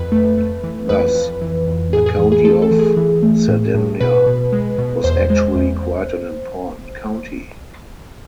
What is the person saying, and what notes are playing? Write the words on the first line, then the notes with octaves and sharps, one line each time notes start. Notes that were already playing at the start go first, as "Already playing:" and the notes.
Thus, the county of Cerdanya was actually quite an important county.
Already playing: F2 B4
A3
A3
E3
F2 B4
F2
E3
F2
A2 G#4
G#4
E3
G#4
A3 A4
A4
E3
G#4
E3
A3
A2
A2
B2 B4
B2
G#3
B2
E2 C5
G#3
E2